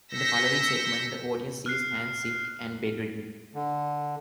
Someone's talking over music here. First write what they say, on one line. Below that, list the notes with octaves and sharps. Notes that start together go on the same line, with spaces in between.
In the following segment, the audience sees Hans sick and bedridden.
E6 G6 A#6 B6 C#7
F6 F#6 C7
D3